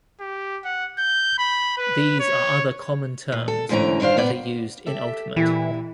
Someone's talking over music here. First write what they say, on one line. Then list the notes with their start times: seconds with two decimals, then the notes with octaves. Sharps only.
These are other common terms that are used in Ultimate.
0.20 G4
0.65 F#5
0.99 G6
1.39 B5
1.78 B4
2.20 C#5
3.32 A#2
3.48 A4
3.69 D2 G#2 D3 E3 C#4 A#5
4.00 G2 D#3 D4 C5 F5
4.17 A#2 B3 D5
4.86 G4 A4 E5
5.36 A#2 E3 E4 G4